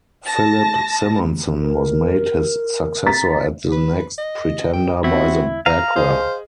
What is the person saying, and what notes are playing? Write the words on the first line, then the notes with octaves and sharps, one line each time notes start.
Philip Simonsson was made his successor as the next pretender by the Bagler.
A5 A#6
A#4
A#5 A6 B6
B4
D#5
G5
C4 E4 F#4
F5 A#5 F6 D#7
G#4 C5 D#5